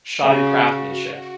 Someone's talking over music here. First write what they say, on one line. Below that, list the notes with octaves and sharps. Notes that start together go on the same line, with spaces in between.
shoddy craftsmanship.
C#3 F#4